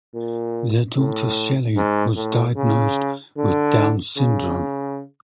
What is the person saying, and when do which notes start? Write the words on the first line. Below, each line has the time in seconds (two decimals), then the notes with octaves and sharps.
Their daughter, Shelley, was diagnosed with Down syndrome.
0.14 A#2
0.96 A2
1.76 G#2
2.16 A2
2.56 C#3
3.37 D3
4.18 C#3